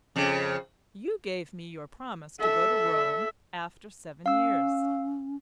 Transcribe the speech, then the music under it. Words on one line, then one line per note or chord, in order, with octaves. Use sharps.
"You gave me your promise to go to Rome after seven years."
F2 C#3
A4 E5
C#4 F5 E6